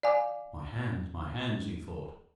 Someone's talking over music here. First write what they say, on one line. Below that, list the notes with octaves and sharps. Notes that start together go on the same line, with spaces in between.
"My hands, my hands," he thought.
D5 F5 G#5 D6